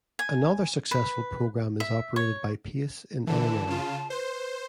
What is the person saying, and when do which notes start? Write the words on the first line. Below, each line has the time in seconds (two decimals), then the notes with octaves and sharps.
Another successful program is operated by Pace in Illinois.
0.19 G#5
0.91 B4
1.80 E5
2.16 C#5
3.27 D3 E3 A5
3.67 C#3 F4
4.10 B4 C5